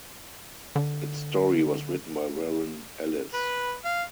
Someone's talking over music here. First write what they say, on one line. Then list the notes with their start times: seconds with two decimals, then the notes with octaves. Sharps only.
Its story was written by Warren Ellis.
0.76 D3
3.34 B4
3.85 F5